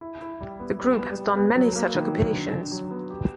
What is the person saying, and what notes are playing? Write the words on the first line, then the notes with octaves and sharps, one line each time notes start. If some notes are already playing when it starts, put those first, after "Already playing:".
The group has done many such occupations.
E4
E4
G3
B3
G3
B3
G3
B3
F#3
A#3
D#3
F#3
D3
D3
F#3
B3
G4